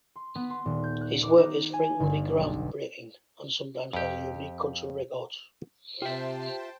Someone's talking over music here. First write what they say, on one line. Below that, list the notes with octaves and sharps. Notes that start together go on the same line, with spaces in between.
His work is frequently groundbreaking and sometimes has unique cultural records.
C6
B3
C6
D#1
G6
F#6
D6
D#4
G#5
G1
B1
F2 G4
C3 F4 G4 C5 E5 G5 A5